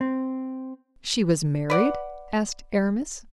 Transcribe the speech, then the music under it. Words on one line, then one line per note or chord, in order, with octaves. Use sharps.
"She was married?" asked Aramis.
C4
B4 D5 F#5